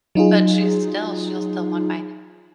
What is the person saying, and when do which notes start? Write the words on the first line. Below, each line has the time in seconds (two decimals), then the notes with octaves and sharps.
But she's still she'll still walk by,
0.15 F#3 D#4 F4 G#4